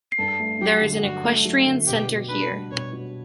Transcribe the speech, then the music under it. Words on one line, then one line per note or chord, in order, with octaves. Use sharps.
There is an equestrian center here.
G2 A4
A3
F#3 G4
D3
G2 F#4
A3
F#3
D3
B2 G4
F#4
D4 B4
G3
B2 C#5
F#4